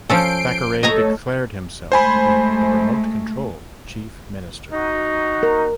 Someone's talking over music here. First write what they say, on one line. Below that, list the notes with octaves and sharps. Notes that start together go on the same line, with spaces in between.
Thackeray declared himself to be the "remote control" chief minister.
F3 C#4 A4 G6 C7 D7
A3 A4 C#5 D#5 G#5 A#5
G#3 A3 C5 G#5 B5
D#4 F#4
A#4